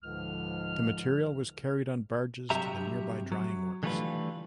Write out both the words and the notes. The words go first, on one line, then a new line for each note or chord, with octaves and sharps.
The material was carried on barges to the nearby drying works.
C#2 G#2 D3 F3 F6
G2 C3 F#3 G4 E5 A#5
F#3
D3 E3 G3 A3 F4 B4